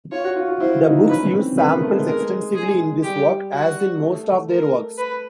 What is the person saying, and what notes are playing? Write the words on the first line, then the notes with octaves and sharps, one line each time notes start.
The Books use samples extensively in this work, as in most of their works.
F4 C#5
F#4
F4
F4
E4 C5
D#4
C#4 B4
C4
B3 B4
A#3
A3
G#3
G#3 A#4
G#4
G3 G4
F#4
A3
A#4
B4